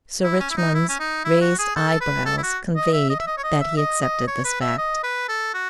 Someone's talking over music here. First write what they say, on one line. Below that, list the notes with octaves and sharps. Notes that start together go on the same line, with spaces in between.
Sir Richmond's raised eyebrows conveyed that he accepted this fact.
E4
C#4
E4
D#4
E4
C#4
D#4
E4
F#4
G#4
A4
B4
A4
E4
F#4
D#5
E5
D#5
E5
D#5
C#5
D#5
E5
D#5
D#5
C#5
B4
E5
D#5
B4
A4
F#4